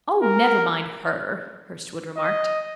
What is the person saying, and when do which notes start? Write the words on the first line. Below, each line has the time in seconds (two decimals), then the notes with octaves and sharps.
"Oh, never mind her," Hurstwood remarked.
0.22 A#4
2.17 D#5